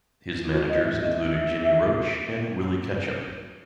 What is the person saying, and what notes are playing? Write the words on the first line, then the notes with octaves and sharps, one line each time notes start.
His managers included Jimmy Roche and Willie Ketchum.
E4
F#4
D#5
E5
D#5
E5